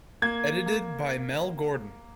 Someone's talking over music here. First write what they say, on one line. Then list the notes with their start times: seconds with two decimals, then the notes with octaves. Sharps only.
Edited by Mel Gordon.
0.22 A#3 G#6
0.66 A#3